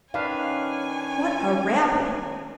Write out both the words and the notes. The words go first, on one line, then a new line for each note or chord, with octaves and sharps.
What a rabble!
D#3 C#4 D4 B4 F5 G#5